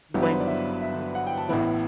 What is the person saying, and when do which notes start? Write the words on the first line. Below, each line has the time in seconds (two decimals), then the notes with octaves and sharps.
when you have smoked, but
0.14 G1 G2 F#3 B3 E4 G4
0.23 B4
0.31 C5
0.40 D5
0.47 E5
0.81 E5
1.15 F#5
1.27 G5
1.38 A5
1.49 A1 A2 E3 B3 E4 B5